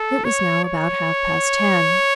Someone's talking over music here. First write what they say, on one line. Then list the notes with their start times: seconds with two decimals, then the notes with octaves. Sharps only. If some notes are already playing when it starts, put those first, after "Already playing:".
It was now about half-past ten.
Already playing: A4
0.25 C#5
0.65 C#5